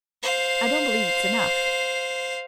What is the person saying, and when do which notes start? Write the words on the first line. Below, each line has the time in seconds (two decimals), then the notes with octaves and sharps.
I don't believe it's enough.
0.23 C5 F5